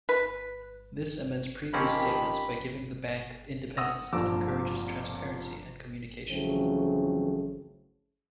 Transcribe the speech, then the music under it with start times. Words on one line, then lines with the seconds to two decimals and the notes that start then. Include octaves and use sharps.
This amends previous statements by giving the bank independence and encourages transparency and communication.
0.09 B4
1.74 D#3 F3 A#3 C4 C#4 G4 B5
3.77 F#5 D#6 E6 A#6
4.13 F1 G2 A#2 F3 D6 E6
6.30 F2 C#3 E3 F#3 A3 C4